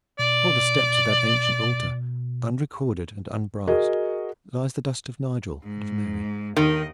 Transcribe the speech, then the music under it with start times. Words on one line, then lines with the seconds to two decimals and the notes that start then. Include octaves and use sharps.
Before the steps of that ancient altar, unrecorded and unbrassed, lies the dust of Nigel and of Mary.
0.19 B2 D5
3.67 F#4 G#4 A#4 D#5
5.63 G#2
6.57 D#2 D#3 D#5